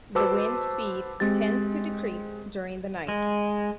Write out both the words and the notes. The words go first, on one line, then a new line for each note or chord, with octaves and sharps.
The wind speed tends to decrease during the night.
F#4 B4 C5 A5 D6 E6
G#3 C4 G4 A6
G#3